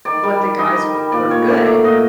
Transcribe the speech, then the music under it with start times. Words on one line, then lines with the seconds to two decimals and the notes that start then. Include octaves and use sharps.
but the guys were good,
0.05 D#3 D5
0.23 G3
0.41 G3
0.59 D#3 D#5
0.76 D#3
0.95 G3
1.12 A#2 D5
1.30 A#2 C#5
1.48 A3 D5
1.66 F#3 D5
1.84 A#2 D#5